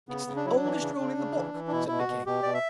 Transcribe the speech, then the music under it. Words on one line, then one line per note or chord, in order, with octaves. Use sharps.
'It's the oldest rule in the book,' said the King.
C#3 B3
C#3
D4
F#3 E4
D4
E3
C#3
C#3
C#3
E3
E3
D4
B2 E4
B2 E4
F#4
B2
B2 G4
B2 D5
E5